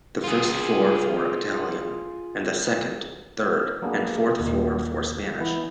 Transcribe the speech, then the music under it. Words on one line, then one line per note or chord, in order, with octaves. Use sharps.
The first floor for Italian, and the second, third, and fourth floor for Spanish.
F4 G#4
F#3 A#3 B3 D4 G#4
D#2 A#2 D#3
E3 B3 E4